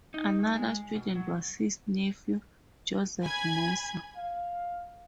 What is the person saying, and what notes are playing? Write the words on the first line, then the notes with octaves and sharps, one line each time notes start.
Another student was his nephew Joseph Moser.
D#4
G2
G#3
B2
F#3
G#5 B5 G#6
F5